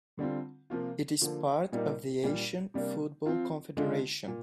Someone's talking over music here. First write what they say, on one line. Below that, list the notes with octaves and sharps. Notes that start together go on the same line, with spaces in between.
It is part of the Asian Football Confederation.
D3 G3 C4 F4
C3 F3 A#3 F4
D3 F3 A#3
A#2 G3 A#3 D#4
A#2 G3 D4
C3 G3 A#3 D4
F3 C4 F4
D3 G#3 D4 F4
A#2